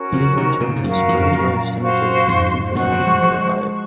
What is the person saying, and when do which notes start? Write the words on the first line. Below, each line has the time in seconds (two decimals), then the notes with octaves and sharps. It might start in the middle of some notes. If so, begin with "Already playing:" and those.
He is interred in Spring Grove Cemetery, Cincinnati, Ohio.
Already playing: C#4 F#4 A#4
0.12 C#3 F3
0.37 C3 D#3
0.60 A#2 C#3
0.76 G#2
0.84 F#2 F#4 A#4 F5
1.09 F2 G#2
1.33 F#2 A#2
1.80 F#4 C5 F5 C6
2.28 F2 G#2
2.75 F#2 A#2 F#4 C5 F#5 C#6
2.92 A#2 C#3
3.07 F3 G#3
3.23 F3 G#3
3.71 C#6